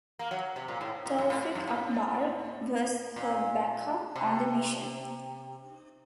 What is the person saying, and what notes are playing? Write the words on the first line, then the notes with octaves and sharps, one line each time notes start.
Taufik Akbar was her backup on the mission.
A#3
F#3
C3
A#2
A2
A#2
F#2
A2
A2
F#2
A2
A#2
C3